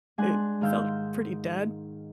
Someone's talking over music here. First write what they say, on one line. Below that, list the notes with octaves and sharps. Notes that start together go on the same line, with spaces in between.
it felt pretty dead.
G#3 D4 F#5 G#5 C6 F#6
G#2 D#3 F5 C6 E6 G6